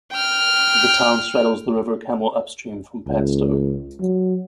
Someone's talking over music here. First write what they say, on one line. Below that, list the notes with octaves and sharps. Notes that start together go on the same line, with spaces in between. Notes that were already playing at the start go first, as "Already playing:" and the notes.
The town straddles the River Camel upstream from Padstow.
G5 F6
C#2
F#3